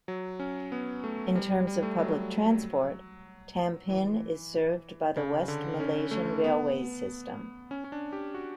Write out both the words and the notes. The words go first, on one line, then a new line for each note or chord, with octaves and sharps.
In terms of public transport, Tampin is served by the West Malaysian railways system.
F#3
C#4
B3
A3
G3
G3
A3
F#3
E3
C#3
D3
C#4
A3
B3
C#4
C#4
D4
G4
F#4